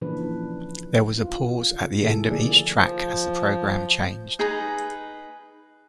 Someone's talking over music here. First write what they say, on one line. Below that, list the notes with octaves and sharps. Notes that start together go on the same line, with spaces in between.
There was a pause at the end of each track as the program changed.
A#2 C#3 E3 F3 D4 B4
F4
C3 D#3 E4 G#4 A4
D3 F3 A3 A#3 G#4 D5
F3
D#4 G#4 B4 A#5